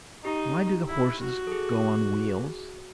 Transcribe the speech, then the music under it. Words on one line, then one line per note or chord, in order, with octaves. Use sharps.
"Why do the horses go on wheels?"
D#4 G4
E4
F#4
A4
G#4